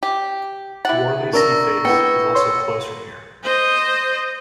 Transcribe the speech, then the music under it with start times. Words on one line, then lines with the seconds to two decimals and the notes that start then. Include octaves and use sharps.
Worli Seaface is also close from here.
0.03 G4
0.85 E4 G4 F#5 A6
1.33 D4 A#4 C#6 E6 A#6
1.85 B3 E4 G5 E6 C#7
2.35 C#5 C6
3.43 C5 D#5